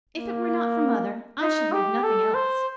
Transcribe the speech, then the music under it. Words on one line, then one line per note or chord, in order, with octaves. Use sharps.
If it were not for mother I should read nothing else.
A#3
D#4
G4
A4
C5